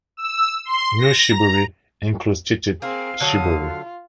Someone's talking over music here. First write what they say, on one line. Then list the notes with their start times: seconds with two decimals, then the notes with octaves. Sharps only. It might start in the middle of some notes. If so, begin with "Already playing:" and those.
Nui shibori includes stitched shibori.
0.17 E6
0.65 C6
0.98 A#6
1.31 A#5
2.82 A#3 C4 G#4 F5
3.20 D3 F#3 A5 D#6
3.62 F4